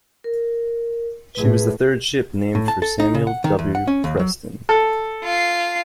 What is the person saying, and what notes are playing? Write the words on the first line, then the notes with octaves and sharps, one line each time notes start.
She was the third ship named for Samuel W. Preston.
A#4
A2 G#4 B4
A2
A5
A4
D#4
C#3
F#5
D#3
E2
F#5
C#4
D#2
F#3
A4
F4 C7